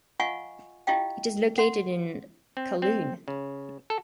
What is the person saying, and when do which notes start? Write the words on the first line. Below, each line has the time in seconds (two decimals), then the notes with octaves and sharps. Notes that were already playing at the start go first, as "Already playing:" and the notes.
It is located in Kowloon.
0.20 F4 D#5 F5 F#5 G#5 C#6
0.87 E4 F4 G4 D#5 F5 G5
1.58 F#5 C6
2.57 C4
2.82 C4
3.28 C#3
3.90 A4